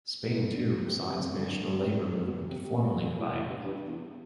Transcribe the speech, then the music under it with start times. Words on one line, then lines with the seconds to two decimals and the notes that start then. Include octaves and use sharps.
Spain, too, saw its national labor movement formally divided.
0.32 E3
0.38 D3
0.85 C3
1.08 C3
1.32 D3
1.78 C3
2.25 B2
2.48 C3
2.63 C3
2.71 B2
3.17 A2
3.33 A2
3.48 G2
3.64 G2
3.87 E2